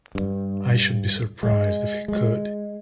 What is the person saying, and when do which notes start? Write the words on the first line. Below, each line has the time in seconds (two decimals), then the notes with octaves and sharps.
I should be surprised if he could.
0.15 G2
1.43 G#3
2.08 G#3